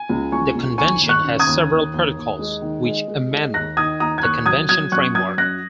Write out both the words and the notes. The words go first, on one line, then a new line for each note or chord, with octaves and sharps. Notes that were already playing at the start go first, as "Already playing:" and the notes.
The Convention has several protocols, which amend the convention framework.
Already playing: G#5
C#2
C#2 G#5 C#6
C#2
D#2 G#5 C#6
D#2
C#6 F#6
C#3
D#6 G#6
D#2
D#2
D#2
D#2
G#3
D#3
G#3
G#3
G#3
D#2 F#6 A#6
D#3 D#6 G#6
D#2 A#5 D#6
G#6
D#2 C#6 F#6
F#3 D#6 G#6
F#3 D#6 G#6
F#2 C#6 F#6
F#3 D#6 G#6
F#2 F#6 A#6